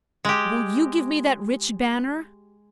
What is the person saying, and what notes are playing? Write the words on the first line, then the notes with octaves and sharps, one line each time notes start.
Will you give me that rich banner?
G#3 G4